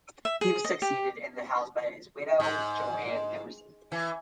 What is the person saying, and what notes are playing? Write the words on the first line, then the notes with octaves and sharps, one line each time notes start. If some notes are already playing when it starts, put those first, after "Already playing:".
He was succeeded in the House by his widow, Jo Ann Emerson.
E5
G#4
D#5
G4
G#2
E3